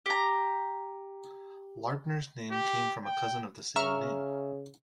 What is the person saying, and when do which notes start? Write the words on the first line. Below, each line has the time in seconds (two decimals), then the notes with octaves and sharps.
Lardner's name came from a cousin of the same name.
0.06 G4 A#5
2.52 G4
3.05 G5
3.76 C#3 E5 A#5 C#6 F6